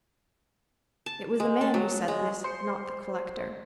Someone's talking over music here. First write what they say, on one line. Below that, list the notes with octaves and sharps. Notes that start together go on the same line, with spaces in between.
It was the man who said this, not the collector.
A5
G#3
A5
F#3
G#3
C5 C6 C#7